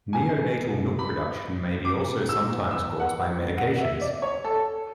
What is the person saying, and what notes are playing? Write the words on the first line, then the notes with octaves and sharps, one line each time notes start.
Neonatal milk production may be also sometimes caused by medications.
G#5
B5
D6
E6
E6
F#5
F#5
E5
D5
C#5
A4